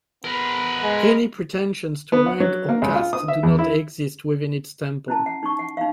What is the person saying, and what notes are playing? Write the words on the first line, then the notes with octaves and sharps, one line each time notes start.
Any pretensions to rank or caste do not exist within its temple.
B3 A#4 B4
G#3
B3
F#5
F#3
A#3
C#2
F4
D#6
E5
E2
E4
C#4 E4 A5
F#5
D#4 C#6
F#5
D#4 F5